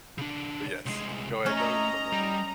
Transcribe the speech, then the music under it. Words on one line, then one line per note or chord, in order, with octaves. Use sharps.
but yes, go ahead, though. You're talking about League.
C#3 D4
C2 G#3
A3 C#4 D#5 A#5
G3